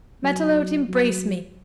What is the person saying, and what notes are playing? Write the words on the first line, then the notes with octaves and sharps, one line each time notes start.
Matelote, embrace me!
F#3
F#3